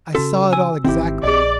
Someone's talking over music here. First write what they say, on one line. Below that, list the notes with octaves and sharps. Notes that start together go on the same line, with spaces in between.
I saw it all exactly.
C#3 C#4 F#4 A4
G#5 E6
G#1 D#3 C4 E4 G4
A#1 G#4 D5 D#5